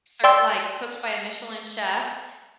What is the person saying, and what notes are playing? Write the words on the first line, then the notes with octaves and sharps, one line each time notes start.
ser like cooked by a Michelin chef
D5 G5 C6 E6